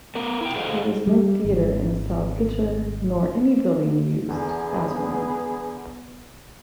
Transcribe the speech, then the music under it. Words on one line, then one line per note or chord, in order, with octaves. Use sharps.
There is no theatre in Salzgitter nor any building used as one.
B3 A#4
E4 G5
F#4 G#4 A4 C5 D#5 F5
G3
G#1
E2 D3 B3 G#4